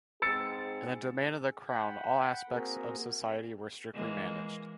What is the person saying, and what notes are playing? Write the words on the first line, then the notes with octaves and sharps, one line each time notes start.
In the Domain of the Crown all aspects of society were strictly managed.
G#2 C4 G#4 E6 A6 C#7
F#5 G5 B5
A#3 C4 F#4 G#4 A#4
E3 G#3 A#3